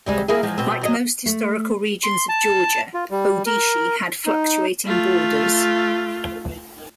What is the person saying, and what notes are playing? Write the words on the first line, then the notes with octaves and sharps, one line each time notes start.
Like most historical regions of Georgia, Odishi had fluctuating borders.
C3 G3 G#3
A#3 E4 G#4
E2 F3 G#3
B2 C4
F#2 F#3 D#5
A3
C6
A5
F4
G3
A#4
D#4
A3 F4